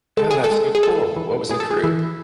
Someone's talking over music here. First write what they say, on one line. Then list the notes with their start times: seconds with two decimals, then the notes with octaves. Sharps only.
Oh, that's so cool. What was the group?
0.17 G#3 A4
0.31 G#4
0.44 A4
0.51 G#3
0.75 G#4
0.83 G#3 A4
1.16 E3
1.50 A2 G#4
1.60 A4
1.71 G#4
1.84 E3 E4